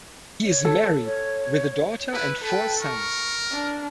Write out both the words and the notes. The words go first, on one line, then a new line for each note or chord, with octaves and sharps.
He is married, with a daughter and four sons.
C#5
A4
C#5
E4 B4
A4 B4 G5
A#4 C#6
D4